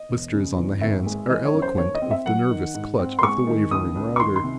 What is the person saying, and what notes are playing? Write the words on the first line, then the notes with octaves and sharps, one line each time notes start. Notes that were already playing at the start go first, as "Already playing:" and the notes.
Blisters on the hands are eloquent of the nervous clutch of the wavering rider.
Already playing: D#5
E1
C#3
E2
G#1 E5
G#3
E3 D#5
C#5
F#2
C5
D#2 C#5
D#5
C4
E5
F#3 F#5
D#3
G#2
C4
C6
G#3 C#6
D#3
C#2 D#6
C#2
C#6
D#3 C6
C6
C3